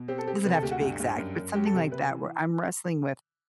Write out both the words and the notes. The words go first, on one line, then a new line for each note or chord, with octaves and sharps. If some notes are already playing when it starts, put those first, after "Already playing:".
doesn't have to be exact, but something like that where I'm wrestling with
Already playing: B2
C4 G4
A4
C4 G4
C3 B4
A4
D2 G4
F#4
G2
G2
F#2
F#2
F#3 G4
A4
C3 G4
C3 B4
E3